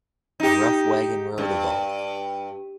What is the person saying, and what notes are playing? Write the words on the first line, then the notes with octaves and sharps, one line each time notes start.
A rough wagon road evolved.
D#4 G4
G2